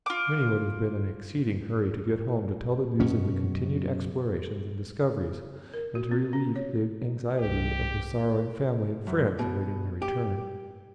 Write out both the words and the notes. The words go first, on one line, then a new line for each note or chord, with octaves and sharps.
Many would have been in exceeding hurry to get home to tell the news of the continued explorations and discoveries, and to relieve the anxiety of the sorrowing family and friends awaiting their return.
F4 D6
F#2 B2 C#4
A#4
F#4
C4
C#4
C#5
C2 G4
F#2
B2
G4